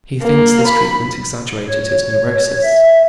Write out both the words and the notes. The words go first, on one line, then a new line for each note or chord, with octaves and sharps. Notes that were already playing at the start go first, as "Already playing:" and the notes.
He thinks this treatment exaggerated his neurosis.
A#3
B5
C#5
E5